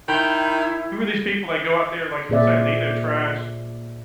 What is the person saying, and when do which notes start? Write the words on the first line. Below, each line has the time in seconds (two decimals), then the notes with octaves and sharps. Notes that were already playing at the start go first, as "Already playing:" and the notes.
who are these people that go out there, like you were saying, leave their trash?
0.08 D#3 E4 G5 B5 G6
2.29 A#2 A#3 G#4 C5 D5 E5